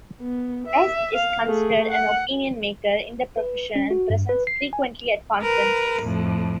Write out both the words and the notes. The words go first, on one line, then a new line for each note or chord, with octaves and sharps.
West is considered an "opinion maker" in the profession and presents frequently at conferences.
B3
E5
F5
A3 G#4
F#5
B4
C#4
F#4
G2
B4
C7
G#5
A#4 B4
F2 A2